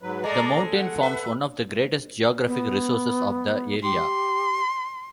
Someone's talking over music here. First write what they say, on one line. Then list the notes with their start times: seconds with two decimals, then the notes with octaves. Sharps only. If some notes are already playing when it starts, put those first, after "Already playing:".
The mountain forms one of the greatest geographic resources of the area.
0.02 G#2 F#3 B4
0.24 G#3 A3 D5 A#5
0.74 F#5
1.03 B4 E5
2.47 B3
3.83 G4 C6